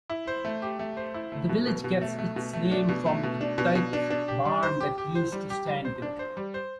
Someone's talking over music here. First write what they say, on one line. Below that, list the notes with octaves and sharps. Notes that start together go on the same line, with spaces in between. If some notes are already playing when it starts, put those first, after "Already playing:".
The village gets its name from the tithe barn that used to stand there.
E4
C5
A3
G4
A3
C5
E4
A3
B2
B2
B2
A3
A3
B2
A3
D4
B2
A3
B2
D4
B2
B2
D4
D4
G4
G3
C5
G4
G4
C5
G3
G4
G3
C5
D4
C5
G3
C5